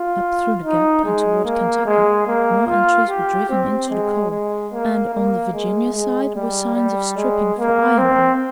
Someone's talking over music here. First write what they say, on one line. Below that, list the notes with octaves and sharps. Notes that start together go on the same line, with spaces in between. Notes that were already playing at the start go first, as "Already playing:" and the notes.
Up through the Gap and toward Kentucky, more entries were driven into the coal, and on the Virginia side were signs of stripping for iron ore.
Already playing: F4
D#4
G#3
A#3
G#3
A#3
F4
G4
C4
G#3
G#3
A#3
A#3
G#3
G#3
G3
G3
G#3
A#3
C4